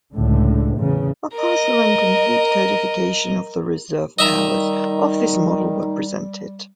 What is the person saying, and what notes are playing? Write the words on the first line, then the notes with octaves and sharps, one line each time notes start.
A partial and complete codification of the reserve powers of this model were presented.
C#2 A2 D3
E2 C#3
A#4 D#5
D#3 G3 D#4 D#5 E5 A#5